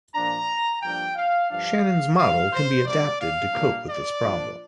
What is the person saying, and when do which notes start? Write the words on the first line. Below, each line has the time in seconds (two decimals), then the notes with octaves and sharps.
Shannon's model can be adapted to cope with this problem.
0.14 A#2 F3 D4 A#5
0.82 G2 F3 A#3 D4 G5
1.16 F5
1.50 G2 F3 D4 F5
2.17 G2 F3 C4 F5
2.52 C5
2.86 C3 G3 A#3 D4 D5
3.19 F5
3.53 A#2 G3 A#3 D4
3.88 D5
4.21 A#2 F3 D4